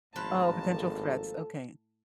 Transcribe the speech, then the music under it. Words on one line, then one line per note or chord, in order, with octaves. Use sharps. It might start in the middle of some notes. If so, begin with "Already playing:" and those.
Oh, potential threats okay.
G#1 A2 F3 A#3 B4 A5
A4